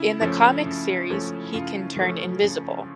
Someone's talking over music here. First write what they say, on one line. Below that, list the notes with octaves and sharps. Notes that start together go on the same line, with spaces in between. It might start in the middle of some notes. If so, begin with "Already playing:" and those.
In the comics series he can turn invisible.
Already playing: C#3 E4
F3 A3 C#4
C#3
F3 A3 C#4
C#3 F4
F3 A3 C#4
C#3